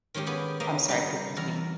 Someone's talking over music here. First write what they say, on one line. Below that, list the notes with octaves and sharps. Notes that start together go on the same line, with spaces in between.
I'm sorry, please continue.
D#3 G#3 C#4 G4
B3 G4 G#4
A#3 C#4 D#5
G3 D#4
E2 A#4 A#5